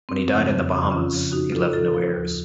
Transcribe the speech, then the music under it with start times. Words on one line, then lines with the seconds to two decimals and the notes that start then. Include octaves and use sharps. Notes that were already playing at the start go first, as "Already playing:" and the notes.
When he died in the Bahamas, he left no heirs.
0.09 F#2 C4
0.30 C#3 F3
0.50 F2
0.70 C#3
0.75 F3
0.91 F2 C#4 F4
1.12 C#3 F3
1.32 A2 D#4 F#4
1.52 F3 F4 A4
1.73 A2 F4 A4
1.94 F3
2.13 D#2